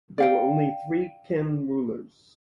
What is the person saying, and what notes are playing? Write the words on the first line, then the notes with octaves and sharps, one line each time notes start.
There were only three Khen rulers.
D5 F5 G5